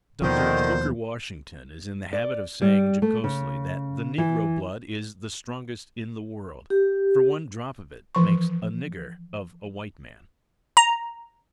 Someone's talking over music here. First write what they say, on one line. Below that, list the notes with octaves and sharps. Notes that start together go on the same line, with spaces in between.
Dr. Booker Washington is in the habit of saying jocosely that the negro blood is the strongest in the world, for one drop of it makes a "nigger" of a white man.
D#2 B2 D3 D#3 F3 C5
D5
G3
A3
C#3
E3
G4
E3 F3 C#6
A#5